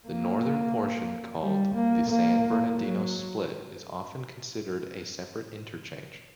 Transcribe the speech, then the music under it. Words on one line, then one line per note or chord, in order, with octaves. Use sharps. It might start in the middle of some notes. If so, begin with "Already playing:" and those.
The northern portion, called the San Bernardino Split, is often considered a separate interchange.
A#3
G3
A#3
A#3
F#3